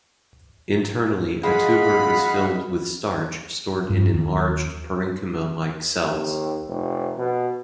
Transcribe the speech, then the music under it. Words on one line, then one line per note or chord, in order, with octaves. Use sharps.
Internally, a tuber is filled with starch stored in enlarged parenchyma like cells.
G#3 D#5 F5 F#5 B5
G2
D#2
D#2
F1
B2